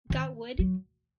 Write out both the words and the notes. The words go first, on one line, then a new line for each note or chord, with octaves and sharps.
Got wood?
D#3
F#3